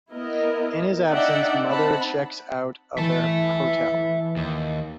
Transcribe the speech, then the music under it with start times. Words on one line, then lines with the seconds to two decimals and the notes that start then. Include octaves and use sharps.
In his absence Mother checks out of their hotel.
0.11 B3 E4 A#4 D#5
1.09 D4 D#4 D5 E5 F#5 G5
1.69 C4 D#4 F#5 A5 B5
2.98 E3 E5 A5
4.37 D#2